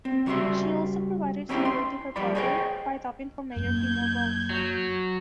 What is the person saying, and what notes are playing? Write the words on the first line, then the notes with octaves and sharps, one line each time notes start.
She also provided support to her brother by dubbing for major female roles.
C4
C#3 G3 F#4 C#5 E5 C6
C4 C#4 D#4 E4 G4 C5
C6
G2 F3 G3 D5 B5
G#4 C5 C#5 D#5 F#5 G5
F#2 A#3 G6 G#6
F#3